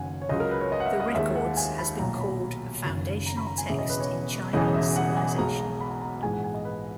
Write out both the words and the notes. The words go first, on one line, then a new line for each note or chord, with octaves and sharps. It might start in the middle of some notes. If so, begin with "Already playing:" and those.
The "Records" has been called a "foundational text in Chinese civilization".
Already playing: F#1 F#2 D#3 F#5 G#5
C#5
C#2 C#3 F#3 D#5
A#4
B4
C#5
D#5
F#5
E5
D#5
D#2 D#3 G#3 E5
F#5
G#5
B5
B1 A#2 F#3 A#5
B5
F#1 F#2 D#3
A#5
B5
A#5
G#5
E1 E2 C#3 E5
D#5
B4
C#5
E1 E2 C#3 E3 D#5
E5
F#5
G#5
B1 B2 G#3 A#5
A#5
B5
A#5
A#5
A#1 G#2 E3 G#3 G#5
F#5
G#5
D#5
B4